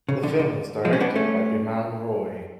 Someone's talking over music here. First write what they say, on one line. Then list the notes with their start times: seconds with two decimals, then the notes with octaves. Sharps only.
The film was directed by Bimal Roy.
0.09 C#3
0.23 D3
0.39 D3
0.85 F3 G#3
0.93 C#4
1.00 B3 D4
1.15 A3 C#4